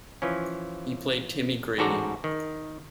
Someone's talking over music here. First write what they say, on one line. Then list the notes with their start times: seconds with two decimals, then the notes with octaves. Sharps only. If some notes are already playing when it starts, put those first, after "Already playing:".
He played Timmy Grady.
0.22 E3 F3 C#4
1.78 A1 G#2 F#4 A4 D5 A#5
2.24 D#3